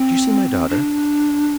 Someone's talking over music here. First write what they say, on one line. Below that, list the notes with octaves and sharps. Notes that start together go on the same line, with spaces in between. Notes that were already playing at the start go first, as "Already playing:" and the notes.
"Did you see my daughter?"
Already playing: C4
D4